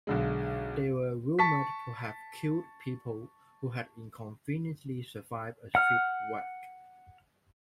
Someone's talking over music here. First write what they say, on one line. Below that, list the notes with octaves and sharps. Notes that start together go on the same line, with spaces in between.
They were rumored to have killed people who had inconveniently survived a shipwreck.
B1 D3 G#3
A5 C#6 B6
F#5 F6